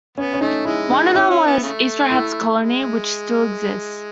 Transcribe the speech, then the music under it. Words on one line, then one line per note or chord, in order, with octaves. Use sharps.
One of them was Esterhaz colony, which still exists.
B3 C#4
C#4
A3 D#4
G#3 E4
D#4
B3
C#4 E4
C#4
B3
C#3 A3
E4
G#3